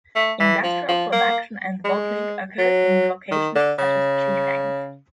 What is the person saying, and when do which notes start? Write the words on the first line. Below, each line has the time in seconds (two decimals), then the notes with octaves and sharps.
Industrial production and bottling occurs in locations such as Chifeng.
0.15 A3
0.40 E3
0.63 F3
0.88 F3
1.12 A#3
1.85 G#3
2.58 F#3
3.31 D#3
3.55 D3
3.79 C#3